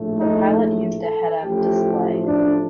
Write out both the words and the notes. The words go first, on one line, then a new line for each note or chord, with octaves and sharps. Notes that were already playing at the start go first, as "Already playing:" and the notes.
The pilot used a head-up display.
Already playing: A#1 A2 A3
D#4
A4
A1 A2 F3 A3 G4
D4